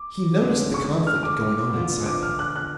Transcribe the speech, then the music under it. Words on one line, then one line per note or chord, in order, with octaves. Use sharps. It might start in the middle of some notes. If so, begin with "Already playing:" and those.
He noticed the conflict going on inside me.
Already playing: D6
F2 D3 G#3 C#4
C#6
F6
D6
D3 F3 B3 F4
D6
F6
F#6
F#6